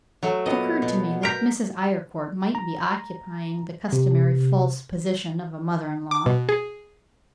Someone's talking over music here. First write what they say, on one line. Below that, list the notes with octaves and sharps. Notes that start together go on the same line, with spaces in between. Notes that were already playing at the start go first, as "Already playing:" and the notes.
It occurred to me that Mrs. Eyrecourt might be occupying the customary false position of a mother-in-law.
F#3 A3
A#2 B3 D#5
B2
A#4 A#5 G6 B6 D7
A#5
C3
D6
B2
G#4